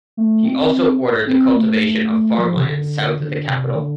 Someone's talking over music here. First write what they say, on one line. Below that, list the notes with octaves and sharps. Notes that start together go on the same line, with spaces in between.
He also ordered the cultivation of farmlands south of the capital.
A3
C4
C4
A3
A3
F3
C3
D3
D3
C3
D3